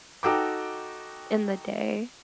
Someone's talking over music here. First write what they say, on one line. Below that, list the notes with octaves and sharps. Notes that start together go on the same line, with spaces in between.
in the day,
D#4 F#4 A4 G5 A#5 D6